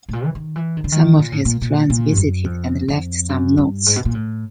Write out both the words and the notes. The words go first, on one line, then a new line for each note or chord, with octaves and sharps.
Some of his friends visited, and left some notes.
A2
A#2
E3
D#3
E3
D#3
D3
D#3
A#2
A2
A#2
A#2
A#2
G2
F#2
F2
F2
F#2
G2
G#2
B2
A#2
A2